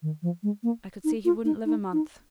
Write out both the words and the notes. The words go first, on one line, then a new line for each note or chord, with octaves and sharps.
I could see he wouldn't live a month.
D#3
F3
G#3
A#3
D#4
F4
D#4
D#4
D#4